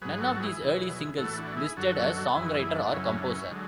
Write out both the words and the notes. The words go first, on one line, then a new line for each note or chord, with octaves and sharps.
None of these early singles listed a songwriter or composer.
G#2 F#3 G#4 B4
B4
F#4 A4
E4 G#4
E2 B2 F#3
A2 E3 F#4 A4
D4 F#4
E4 G#4
F#2 D3 F#3 F#4 A4
F#2 E3 E4 G#4
F#4
E4 G#4
B3 D4
F#2 C#3 F#3 C#4 E4
D4
C#4 E4
D3 F#3 G#3